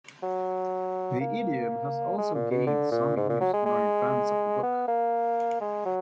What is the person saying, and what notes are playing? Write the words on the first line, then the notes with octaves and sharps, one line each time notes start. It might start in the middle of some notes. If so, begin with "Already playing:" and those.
The idiom has also gained some use among fans of the book.
F#3
A#3
G#3
A#2
B2
D3
A#2
G#2
A#2
F#3
G#3
G#3
B3
A#3
G#3
F#3